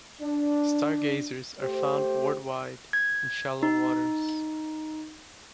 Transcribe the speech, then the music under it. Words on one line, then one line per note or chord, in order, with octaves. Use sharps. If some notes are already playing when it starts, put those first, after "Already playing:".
Stargazers are found worldwide in shallow waters.
D4
A3 G4 C5
G#6
D#4